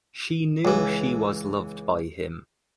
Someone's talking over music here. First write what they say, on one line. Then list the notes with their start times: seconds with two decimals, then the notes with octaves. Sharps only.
She knew she was loved by him.
0.65 C#2 E3